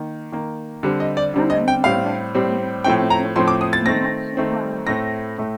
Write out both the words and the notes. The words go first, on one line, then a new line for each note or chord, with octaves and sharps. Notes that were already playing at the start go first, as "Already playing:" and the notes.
Hannan University is located in Matsubara.
Already playing: D#3 A#3
D#3 A#3
D3 G3 C4
D#5
D5
D3 G3 C4
D#5
G5
A2 G3 C4 F5
A2 G3 C4
A2 F3 A3 C4 G5
A#5
A2 F3 A3 C4 C6
D6
D#6
A6
D#3 A3 C4 A#6
D#3 A3 C4
A2 A3 C4 A#6
A2 A3